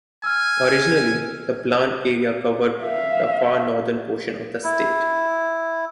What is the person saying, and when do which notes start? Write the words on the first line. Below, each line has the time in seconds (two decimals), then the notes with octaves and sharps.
Originally, the plan area covered the far northern portion of the state.
0.24 G#5 E6 F6
2.83 E5 F5
4.64 E4